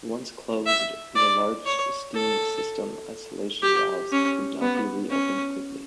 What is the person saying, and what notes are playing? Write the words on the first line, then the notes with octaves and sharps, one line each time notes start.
Once closed, the large steam system isolation valves could not be reopened quickly.
E5
D5
C#5
A4
G4
C#4
B3
C#4